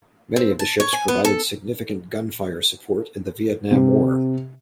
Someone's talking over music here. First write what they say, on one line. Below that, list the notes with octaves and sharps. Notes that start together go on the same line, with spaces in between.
Many of the ships provided significant gunfire support in the Vietnam War.
C4
A5
C#5
G#5
B3
A4
C3